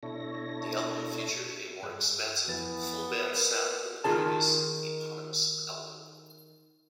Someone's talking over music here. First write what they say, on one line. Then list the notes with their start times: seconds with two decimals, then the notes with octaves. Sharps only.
The album featured a more expansive, full band sound than the previous eponymous album.
0.03 B2 D4 E4 A4 C#5 A#6
1.83 G2 G#4 F#6
2.48 F2 E3 B3 A6
3.32 A#3 B4
4.04 D#3 F4 G#4 A5